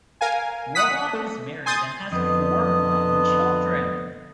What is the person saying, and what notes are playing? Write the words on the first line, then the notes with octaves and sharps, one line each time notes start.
Roloff is married and has four grown children.
A#4 F5 G#5
F#5 D#6 B6
A3
G#5 C6 D#6 G6 A6
F2 D3 B3 D#5